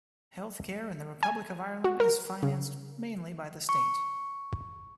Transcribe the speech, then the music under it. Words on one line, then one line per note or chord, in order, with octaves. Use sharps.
Healthcare in the Republic of Ireland is financed mainly by the state.
G#5
F#4
A#4
C#3
C#6